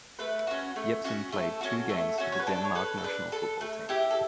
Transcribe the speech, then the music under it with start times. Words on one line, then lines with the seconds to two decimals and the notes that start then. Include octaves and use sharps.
Jepsen played two games for the Denmark national football team.
0.19 A3 B4
0.47 C#4 F#4
0.76 A3
1.04 C#4 F#4
1.32 A3 A4
1.61 C#4 F#4
1.89 A3
2.18 C#4 F#4
2.32 C#5
2.40 B4
2.47 D4 A4
2.65 C#5
2.75 A4 B4
2.98 A4
3.04 D4 B4
3.32 A4
3.61 A3
3.89 E4 G4
4.10 A4